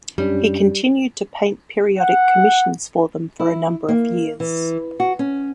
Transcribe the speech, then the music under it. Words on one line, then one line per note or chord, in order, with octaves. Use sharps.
He continued to paint periodic commissions for them for a number of years.
F#2 G3 C#4 D4
F#5
E4
A#3
E3
F#4
C#4